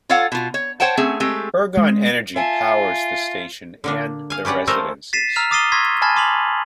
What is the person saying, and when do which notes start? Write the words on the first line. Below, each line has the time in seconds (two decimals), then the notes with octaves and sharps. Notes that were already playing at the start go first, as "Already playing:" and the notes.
Ergon Energy powers the station and the residences.
0.09 F4 A4 C#5 F5 F#5
0.32 B2 F4
0.54 C#5
0.80 C5 C#5 F#5 G5 A5
0.97 A3 C4 C#4 G#4
1.20 G#3 A3 C4 G4
1.77 G#3
2.36 F4 E5 G#5 A5
3.84 D3 A#3 D4
4.30 F5 G#5
4.45 C#4 G4 B4 D5 F#5
4.67 F3 A3 A4 A#4 C5 G#5
5.13 A6 B6 C7 D#7 E7
5.36 A#5 E6 F6 B6 F7
5.51 D6 D#6 A6 C7 D#7 G7
5.72 C6 C#6 E6 G#6 A#6 B6
6.02 G#5 A5 B5 F6 G#6 A6
6.16 C6 D6 B6 F7 F#7